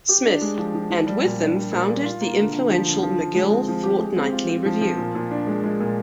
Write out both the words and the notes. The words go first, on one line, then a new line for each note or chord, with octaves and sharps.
Smith, and with them founded the influential "McGill Fortnightly Review".
G4
D4
G#3
F3
F3
F3
G3
A#2
D4
G3
A#2
G3
F4
A#3
D3
D3
F3
D3
F3
F3
G#3
C4
F3
G4
G#3
C4
F4
C4
F3
F3
A#2
A#2
D4
G#3
G#3
A#2